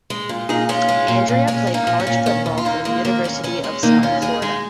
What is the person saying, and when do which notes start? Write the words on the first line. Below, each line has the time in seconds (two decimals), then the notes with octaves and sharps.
Andrea played college football for the University of South Florida.
0.10 G#3
0.29 A#2
0.49 A#2 D#4 G#4
0.69 G#3 C#4 F4
0.89 G#3
1.08 A#2
1.28 A#2
1.48 G#3 C#4
1.67 G#3
1.74 A#3 D#4
1.87 A#2
2.00 C#4
2.07 A#2
2.26 D#3 C#4
2.46 D#2
2.58 F4
2.65 D#2 A#3 D#4
2.85 G#3 A#3
3.05 D#3 A#3
3.24 D#2 C#4
3.44 D#2 C#4
3.64 G#3 C#4
3.83 D#3 A#3 D#4
4.03 D#2 C#4 F4
4.22 D#2 D#4 G#4
4.42 G#3 D#4 G#4